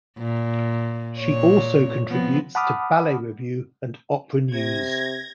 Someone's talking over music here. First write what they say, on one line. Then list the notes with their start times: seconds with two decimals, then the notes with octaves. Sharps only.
She also contributes to "Ballet Review" and "Opera News".
0.18 A#2
1.20 A#2 C#5
2.08 F3 B3 C4
2.55 F#5 A5 B5 D6 D#6 F6
4.52 C3 G#6 A#6